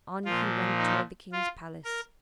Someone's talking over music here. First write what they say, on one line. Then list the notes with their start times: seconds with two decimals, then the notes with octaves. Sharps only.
On he went toward the king's palace.
0.25 A#2 F3 F4
0.78 D#4
1.32 F4
1.85 A#4